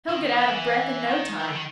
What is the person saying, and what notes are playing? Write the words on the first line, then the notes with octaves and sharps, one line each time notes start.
He'll get out of breath in no time.
D#3
D#3
E3
D#3
E3
D3
D#3